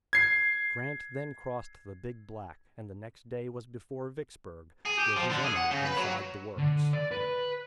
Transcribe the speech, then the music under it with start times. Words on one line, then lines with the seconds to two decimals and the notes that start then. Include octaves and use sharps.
Grant then crossed the Big Black and the next day was before Vicksburg, with his enemy inside the works.
0.13 G#6 C7
4.86 G#4
4.99 G4
5.17 F3
5.30 D3
5.44 G#4
5.56 F#5
5.71 C#3
5.85 B4
5.97 F#3
6.57 D3
6.93 D5
7.12 B4